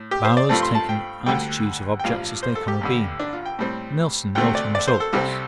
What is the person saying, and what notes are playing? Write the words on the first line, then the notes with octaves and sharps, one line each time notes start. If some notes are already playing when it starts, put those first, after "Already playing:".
Bowers taking altitudes of objects as they come abeam. Nelson noting results.
Already playing: A2
G4
C5
D5
G2 F3 A3 C4 A5
C6
A5
G5
D2 D3 G3 G5
G5
A1 G2 F3 F5
C5
A4
G4
A1 G2 D3
D4
F4
G5
A2 G3 C4
D2 C3 A3 C4 G5
D5
D5
C5
A4
C2 C3 G3 C4